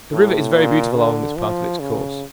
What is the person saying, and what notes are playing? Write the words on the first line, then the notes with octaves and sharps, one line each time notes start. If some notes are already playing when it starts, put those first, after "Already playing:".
The river is very beautiful along this part of its course.
A2
A#2
D3
F3
C#3